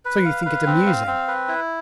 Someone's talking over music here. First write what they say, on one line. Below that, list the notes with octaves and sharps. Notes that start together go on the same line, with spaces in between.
"So you think it amusing?"
B4
F5
B4
C4
F5
C4
B4
E4